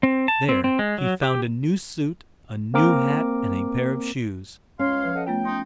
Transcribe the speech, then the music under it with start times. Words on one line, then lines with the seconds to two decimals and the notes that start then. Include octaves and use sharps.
There, he found a new suit, a new hat, and a pair of shoes.
0.03 C4
0.28 A5
0.49 C4
0.64 C4
0.79 G#3
0.98 F#3
1.23 G4
2.74 A#3 C4 A#4 D6
4.79 C#2 C#4 C#5 F5 C6
5.03 F3 B4
5.15 A4 D#5 F#5
5.27 A3 B3 F4 G5
5.45 C#4 D#4 C6